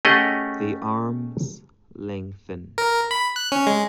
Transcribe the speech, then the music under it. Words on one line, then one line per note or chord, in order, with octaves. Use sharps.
The arms lengthen.
A3 C#4 G4 G#4 D#5 F#5
A#4
B5
F#6
C#4
G#3